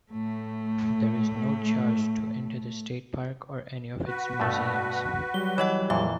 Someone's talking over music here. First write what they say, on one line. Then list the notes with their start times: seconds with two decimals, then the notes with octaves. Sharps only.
There is no charge to enter the state park or any of its museums.
0.11 A2 A3
4.07 F#4 B4
4.40 G2 B2 A3
5.34 F#3 G3 G7
5.58 E3 C#5 D#5 F#5
5.90 F2 A#2 D#3 E3 E5